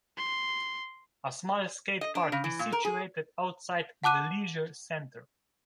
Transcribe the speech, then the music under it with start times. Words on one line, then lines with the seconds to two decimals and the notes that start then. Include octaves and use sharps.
A small skatepark is situated outside the leisure centre.
0.17 C6
2.01 D#5
2.15 D4
2.32 C#3
2.44 E3
2.59 A#2
2.72 A#4
2.85 G#4
4.04 F#5 A5 D6 F#6 D#7